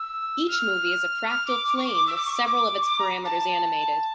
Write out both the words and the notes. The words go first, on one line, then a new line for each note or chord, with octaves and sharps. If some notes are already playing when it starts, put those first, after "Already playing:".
Each movie is a fractal flame with several of its parameters animated.
Already playing: E6
F6
F6
D6
D6
C#6
D6
E6
D6
C#6
D6
D6
C#6
D6
A#5
A5